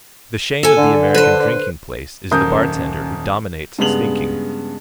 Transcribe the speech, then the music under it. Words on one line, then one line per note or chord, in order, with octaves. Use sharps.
The shame of the American drinking place is the bar-tender who dominates its thinking.
A4 G#5
D3
B4 C5
D#1 F#2 A#4 D#6 G6
G2 C#3 G#3 B3 F7 F#7